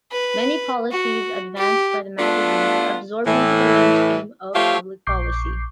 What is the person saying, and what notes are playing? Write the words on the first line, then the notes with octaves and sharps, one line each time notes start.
Many policies advanced by the magazine were absorbed into the mainstream of public policy.
B4
F#4
G4
A3 B3 D4 F4
A2 E3
F3 A3 G4 C#5 E5 F5
A#1 C#6 D6 G6 C7